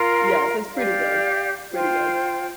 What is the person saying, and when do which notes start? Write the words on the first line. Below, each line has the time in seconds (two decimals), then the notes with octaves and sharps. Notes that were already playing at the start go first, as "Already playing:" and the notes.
Yes, so, it's pretty good. It's pretty good.
Already playing: F4 A#4 F5 C6
0.73 G4 D5 F5
1.71 F4 C5 G5